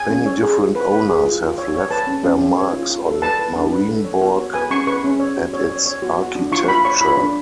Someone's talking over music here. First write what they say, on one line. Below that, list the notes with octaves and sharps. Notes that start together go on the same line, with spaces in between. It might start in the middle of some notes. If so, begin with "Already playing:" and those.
Many different owners have left their marks on Marienborg and its architecture.
Already playing: G#5
C#4
C#5
G#4
F4
B4
B4
G#4
F4
F4
C#5
C#5
B4 A5
C#4
C#4
C#4
C#5
F4
F4
A4
B4 A5
B4
D4
B4
A4
C#5
F#4
C#5
B4 G#5
C#4 C#6
B4 C#6
C#4
C#5
F#4
C#5
C#5
C#5
F#4
F#4
D4
F4 C#6
F4 B5
C#5 C#6
F4 B5
D4